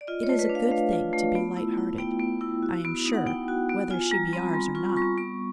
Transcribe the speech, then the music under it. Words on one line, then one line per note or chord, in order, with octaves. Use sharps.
"It is a good thing to be light-hearted, I am sure, whether she be ours or not."
D5
F4 D#5
C#5
A3
B4
D4
F5
A3 F5
F4
A3
B3
E4
E4
B3 G5
B3
E4
F#4
B3
D#4
F#5
B3 G5
F#4
B3
F4 G#5
G3 A#5
C4 B5
G3 C6
F4 C#6
G3 C#6
B3 C#6